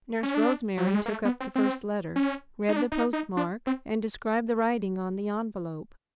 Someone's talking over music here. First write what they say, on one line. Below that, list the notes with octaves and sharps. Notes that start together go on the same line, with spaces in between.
Nurse Rosemary took up the first letter, read the postmark, and described the writing on the envelope.
C#4
D4
F#3
G3
G#3
A#3
A3
B3
C4
C4
C#4
D#4
D4
D#4
D#4
D4
C4